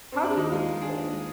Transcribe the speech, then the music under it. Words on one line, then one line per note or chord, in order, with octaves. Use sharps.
How do you meet people?
C4
D4
D#2 D#4
G#3 F4
D#3
D4 G#4
D#2
G#3